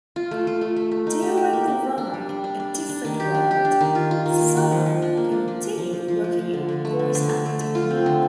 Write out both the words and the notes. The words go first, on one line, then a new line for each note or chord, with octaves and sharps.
During the run of "A Different World", Summer continued working in voice acting.
F4
A3
F4
A3
A3
A3
D#4
G4
G4
A#3
A#3
A#3
D4
G3
D4
D4
D4
D4
D4
D#3
G4
D4
G4
D4
D#3
F4
F4
D#3
A#3
D#3
F3
F3
D4
A#3
F3
D4
F3
F3
F3
F3
F3
F3
D3
D3
A3
D3
D3
D3
A3
A3
F4
C4
D3